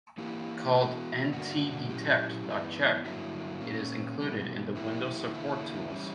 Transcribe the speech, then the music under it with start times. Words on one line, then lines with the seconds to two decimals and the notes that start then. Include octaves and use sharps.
Called ntdetect.chk, it is included in the Windows Support Tools.
0.18 E3 A#3 E4 G4
0.75 E3 B3 F#4
1.32 G2 D3 A#3 D4 F#4
1.89 A#2 F#3 C#4 E4 G4
2.46 G2 E3 B3
3.04 G2 D3 F#3 A#3 E4
3.61 A#2 A#3 C#4
4.18 E2 B2 G3
4.75 F#2 E3 A#3 E4 G4
5.32 E2 D3 A#3 E4
5.90 E3 G3 C#4